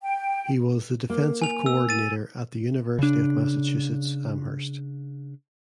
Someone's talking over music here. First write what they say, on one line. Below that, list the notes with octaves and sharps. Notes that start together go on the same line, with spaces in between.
He was thedefensive coordinator at the University of Massachusetts Amherst.
G5
A#3
G#5 F7
E6
A6 D#7
C#3 D4